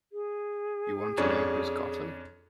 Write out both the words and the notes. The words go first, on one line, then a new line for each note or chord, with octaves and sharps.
You want to know who's got 'em?
G#4
F2 C#4 D4